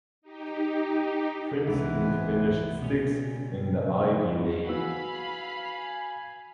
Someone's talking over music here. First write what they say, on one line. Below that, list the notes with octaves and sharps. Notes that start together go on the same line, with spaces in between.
Princeton finished sixth in the Ivy League.
D#4 G4
C#2 C3 E3 G#3 B3 D4 D6
C#2 B2 G3 C#4
F#4 B4 F5 G#5 B5 E6